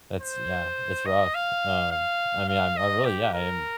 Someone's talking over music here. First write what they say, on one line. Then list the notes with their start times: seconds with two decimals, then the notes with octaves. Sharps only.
that's yeah, it's rough. Um, I mean, I'm I really, yeah, I am,
0.21 C5
1.06 D#5
1.35 F5
1.91 F5
2.48 F5
2.77 D#5
3.05 G4
3.34 A#4